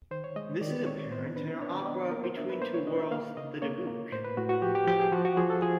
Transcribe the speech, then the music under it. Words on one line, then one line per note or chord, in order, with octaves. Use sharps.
This is apparent in her opera Between Two Worlds-The Dybbuk.
D#3 C5
C#5
G#3 D#5
D#3 D5
C4 C#5
B3 C5
D4 B4
D4 C#5
D5
B3 D#5
A#3 A#4
C5
D4 E5
B4
A#3 C5
C#5
D4 D#5
E5
A#3 F5
C#3 D#5
A#3 C#5
A#3
A2 C5
B4
A2 F#4
F#4
F3 G4
G4
F3 G4
G#4
F3 F#4
F#4
F3 G#4
A4
F3 G#4